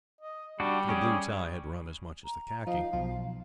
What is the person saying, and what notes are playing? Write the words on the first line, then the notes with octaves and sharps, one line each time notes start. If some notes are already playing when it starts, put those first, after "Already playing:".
The blue tie had run as much as the khaki.
D#5
G3 D4 F#4
C#4 G4 G#4
A#5
F3 D#4 F5
B1 F3 F4